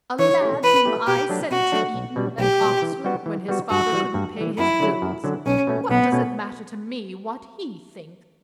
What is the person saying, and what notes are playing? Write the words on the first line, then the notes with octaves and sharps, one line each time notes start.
"A lad whom I sent to Eton and Oxford, when his father couldn't pay his bills--what does it matter to me what he thinks?"
E3 C#5
A3 E4 G4
E3 B4
A3 E4 G4
B2 G4
F#3 A3 D4
B2 F#4
F#3 A3 D4
B1
B2 G3
B1 G4
B2 G3
E3
G3 B3 F#4
E3
G3 B3 F#4
G2 F#4
E3 G3
G2
E3 G3
F#2 E4
D3 F#3 C#4
F#2
D3 F#3 C#4
B1 C#4
B2 A3 C#4
B1 B3
B2 A3 C#4